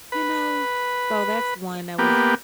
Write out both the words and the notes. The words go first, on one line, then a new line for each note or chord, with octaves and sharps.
You know? So, that's one that was
B4
A#3 B3 G4